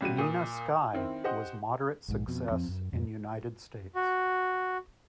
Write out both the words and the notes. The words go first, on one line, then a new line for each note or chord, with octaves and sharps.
"Nina Sky" was moderate success in United States.
A1 G3 F#4 D#7
A#2 D#6
D#3 C4 E4
G4 C5 D#5 F#5
A#1 G#2
F2 B2
F2 F3 C4
F#2
F2 G#2
F#4